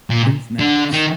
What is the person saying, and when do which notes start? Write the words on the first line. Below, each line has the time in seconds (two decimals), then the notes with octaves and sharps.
Truth matters.
0.10 A#2
0.59 D3
0.93 D#3